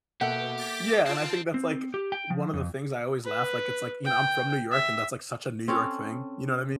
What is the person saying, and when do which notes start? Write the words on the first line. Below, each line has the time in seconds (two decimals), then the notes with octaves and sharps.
Yeah, and I think that's like one of the things I always laugh, like it's like, you know, I'm from New York and that's like such a New York thing. You know what I mea
0.21 B2 A#3 G4 A4 E5 F#5
0.58 D6 A6 B6
1.06 C4 F4 A5
1.54 C4
1.94 G4
2.12 G5
2.30 F3
2.54 F2
3.25 B4
4.05 G5
4.72 E5
5.68 C4 C#4 A4